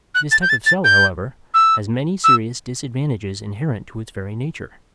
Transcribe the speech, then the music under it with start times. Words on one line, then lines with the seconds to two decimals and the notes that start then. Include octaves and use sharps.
This type of cell, however, has many serious disadvantages inherent to its very nature.
0.15 F#6
0.31 A6
0.42 G6
0.49 A6
0.66 A6
0.84 G6
1.54 E6
2.24 E6